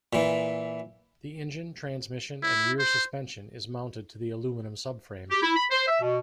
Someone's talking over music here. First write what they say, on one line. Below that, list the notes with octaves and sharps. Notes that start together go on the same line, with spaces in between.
The engine, transmission, and rear suspension is mounted to the aluminum subframe.
A#2 E3
E4
C5
G4
E4
B5
C5
E5
B2